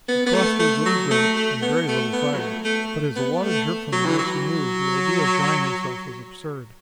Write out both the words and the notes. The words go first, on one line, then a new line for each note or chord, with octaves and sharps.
She crossed to his little grate and very little fire, but as the water dripped from her as she moved, the idea of drying herself was absurd.
B3
B3
A3
A3
F#3
A3
A3
B3
A3
B3
F#3
A3
A3
B3
B3
A3
F#3
E3
F#3